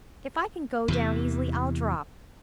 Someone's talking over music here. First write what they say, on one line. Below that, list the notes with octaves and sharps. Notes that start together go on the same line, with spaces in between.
If I can go down easily, I'll drop.
E2 C3 E3